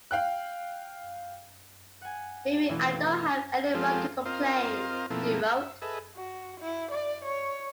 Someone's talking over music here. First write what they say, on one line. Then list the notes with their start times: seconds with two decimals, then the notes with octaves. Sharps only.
"Maybe I don't have any right to complain," he wrote.
0.11 F5 G5 F#6
2.01 F#5 G#5
2.69 B2 D#3 E3 A3 E4 F4
3.74 F3 G#3 C4 F4 G4 A4
4.25 C4 F4 A#4 C5 D#5 F5
5.10 B2 F3 A#3 C4 E4 A4
5.48 E5
5.82 G#4 A4 B4 D#5 E5
6.16 F#4
6.61 E4
6.91 D5
7.25 C#5